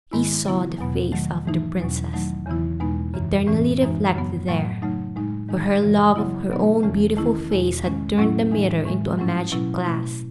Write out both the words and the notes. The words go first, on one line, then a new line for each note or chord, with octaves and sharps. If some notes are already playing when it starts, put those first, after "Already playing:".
He saw the face of the princess--eternally reflected there; for her love of her own beautiful face had turned the mirror into a magic glass.
G#2 D#3 G#3 B3 E4
C#3 F#3 B3 E4
E2 B2 F#3 B3
D#3 F#3 A3
G#2 E3 A3 D#4
E2 B2 F#3 C#4
D#3 F#3 A3 D#4
E2 C#3 E3 B3 E4
E2 B2 G#3 B3 D#4
F#2 C#3 E3
A2 E3 A3 C#4
F#2 E3 G#3 D#4
F#2 C#3 F#3 B3
A2 F#3 A3
C#3 F#3 A3 D#4
A2 G#3 D#4
G#2 D#3 G#3 D#4
F#2 C#3 E3
C#3 F#3 B3 E4
B2 F#3 B3 D#4
E2 C#3 E3 A3 C#4
D#3 A3 C#4 E4
E2 B2 A3 E4
G#2 D#3 G#3 C#4
A2 F#3 C#4 E4
A2 E3 G#3 D#4
A2 E3 G#3
G#2 F#3 A3 C#4 E4
B2 F#3 C#4 E4
B2 A3 E4